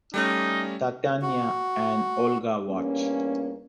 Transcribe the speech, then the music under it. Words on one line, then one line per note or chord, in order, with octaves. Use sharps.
Tatyana and Olga watch.
G3 A3 C#4 D#4
F#4
E2 G2 A#3 C#4